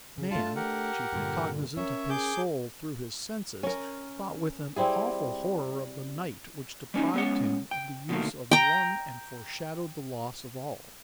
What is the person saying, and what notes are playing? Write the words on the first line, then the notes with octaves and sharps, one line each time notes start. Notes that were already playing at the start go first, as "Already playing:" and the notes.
Man, chiefly cognizant of his soul through his senses, thought with an awful horror of the night which deprived him of the use of one and foreshadowed the loss of all.
C#3
A3 D4 F4 A5
G4 A#4 F#5
G2 A#2 D3
C#4 A#4 C#5 E5
G#4 D6 G6
C#4 A#4
G3 C4 E4 G#4
G3 C#4 D#4
G#3 B3 C#4 F#5
G5
B2 D3 D#3 F#3 A3 A#3
G5 A#5